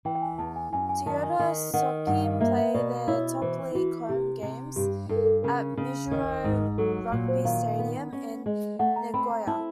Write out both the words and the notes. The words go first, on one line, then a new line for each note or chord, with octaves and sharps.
Toyota Shokki play their Top League home games at Mizuho Rugby Stadium in Nagoya.
E3 G5
G5
G#5
E2 A5
G#5
F#2 G#5
G#5
D#3 A5
G#5
D#3 G#5
D#3 F#5
G2 F#5
F5
A#3 E5
E5
B2 D5
E4 C#5
E3 C5
E3 F#4
C3 G4
C3
G2 G4
G2 A4
A#4
A4
C#3 A#4
C#3
D#3
G#2
F#3 A4
A#2
C5
D#3 F5
B3
C#4
G#3
A3 F#5
A#5
C4 B5
A#5
E4 A5